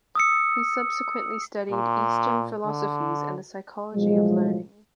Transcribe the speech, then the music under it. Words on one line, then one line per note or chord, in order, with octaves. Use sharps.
He subsequently studied eastern philosophies and the psychology of learning.
D#6 E6 C#7
A#2
D3
B1 A2 F3 F#3 G#3